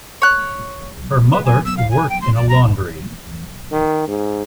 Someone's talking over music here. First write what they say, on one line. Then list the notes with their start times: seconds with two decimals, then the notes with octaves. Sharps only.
Her mother worked in a laundry.
0.22 C#5 F#6
1.33 B4
1.45 G#5
1.65 E6
1.77 F5
1.91 G#5
2.10 G5
2.21 C6
2.36 D5
2.49 A#5
3.72 D#3
4.07 G#2